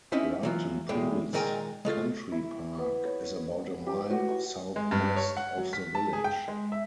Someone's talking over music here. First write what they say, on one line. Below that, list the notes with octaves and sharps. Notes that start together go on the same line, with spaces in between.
Ryton Pools Country Park is about a mile south-west of the village.
C4 C#4 D#4 E4 E5
E3 F#3 F4
E2 A2 G#3 G5
A#2 D#3 G#3 A#4 G5 G#5
G#3 A3 F4
E4
B3
C#5
G4
F#4
C#6
G#3
G2
C#5
F#5
F#3
B6
A5
G#4
G5
G#3
E5